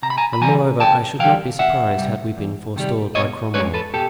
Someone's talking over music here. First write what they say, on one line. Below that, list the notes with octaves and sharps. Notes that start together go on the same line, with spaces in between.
And moreover, I should not be surprised had we been forestalled by Cromwell.
C3 A#5
B5
G#5 A#5
B5
E3 G3 G#5 A#5
C3 G5 A5
E3 G3 F5 G5
E2 E5 F#5
C3 D#3 G3
E2
C3 D#3 G3
B2 C#5 D#5
G#3 C#4 B4 C#5
A4 B4
B2 G4 A4